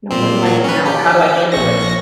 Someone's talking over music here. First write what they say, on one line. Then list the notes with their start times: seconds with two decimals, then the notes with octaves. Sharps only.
you know, what do I do now? Or, how do I handle this?"
0.11 A#2 C4
0.43 A#2 F#3
0.64 C#4 B4
0.86 G4
1.52 A#1 C#6 A#6